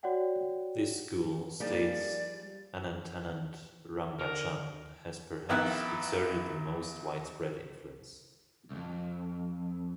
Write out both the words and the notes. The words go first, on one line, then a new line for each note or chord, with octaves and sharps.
This school, states Anantanand Rambachan, has "perhaps exerted the most widespread influence".
F#4 C#5 D5 F#5 G5
F3 G3 A#3 D#4 G4 G#4 D5
D3 A#4
A#1 D#3 B3 E4 F#5
C2 F2